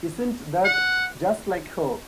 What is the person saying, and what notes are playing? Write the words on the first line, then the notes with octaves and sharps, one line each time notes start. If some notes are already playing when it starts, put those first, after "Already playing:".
Isn't that just like her?
F#5